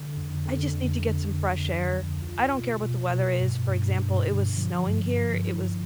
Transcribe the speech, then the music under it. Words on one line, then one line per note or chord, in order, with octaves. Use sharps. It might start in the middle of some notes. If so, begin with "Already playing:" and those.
I just need to get some fresh air. I don't care what the weather is, for example, it was snowing here, it was
Already playing: D3
F2
D3
F2
D3
D2
F3
D2
F4
B2
B2
B2
G2
G2
G2
D3
F3
G2
F3
E4